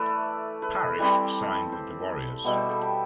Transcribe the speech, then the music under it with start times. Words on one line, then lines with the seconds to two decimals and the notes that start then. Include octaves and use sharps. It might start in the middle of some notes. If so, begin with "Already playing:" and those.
Parish signed with the Warriors.
Already playing: E3 A3 A4 B4 D5 E5
0.62 B4
0.99 E3 G3 C4
1.72 C5
2.44 B2 G3 B3 E5
2.57 C5
2.69 A4
2.82 G4